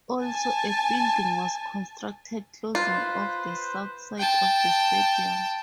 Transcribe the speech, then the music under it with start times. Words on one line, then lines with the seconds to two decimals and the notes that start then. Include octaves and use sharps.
Also, a building was constructed, closing off the south side of the stadium.
0.23 G#5 A5
2.75 F4 B4 C5
4.18 G5 A5